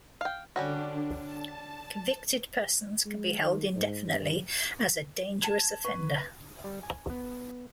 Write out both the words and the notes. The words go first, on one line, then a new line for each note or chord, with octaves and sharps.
Convicted persons can be held indefinitely as a "dangerous offender".
F5 G5
D3 G3 C#4 D4 F#4
A5
G#3
D#3
G#2
G2
A5 G#6
B4 C#6
G3
G#5
B3